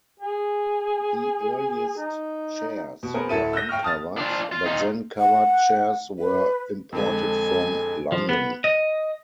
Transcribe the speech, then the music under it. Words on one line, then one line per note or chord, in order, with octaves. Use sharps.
The earliest chairs were uncovered, but then covered chairs were imported from London.
G#4
D#4
B2
B3 C#4 G#4 A#4 C5
D2 A2 A4 E5 D#7
E6 F#6 G6 A#6
F5 G5 C#6 F6
A5 D#6 F6 A6
D4 F4
F4
D#4 F4
F#5
B4
F2 D3 G#3 A4 G#5
F3
B3
D#5